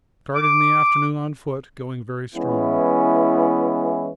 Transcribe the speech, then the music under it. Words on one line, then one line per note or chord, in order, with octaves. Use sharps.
Started in the afternoon on foot, going very strong.
D6
E3 G#3 B3 C#4 E4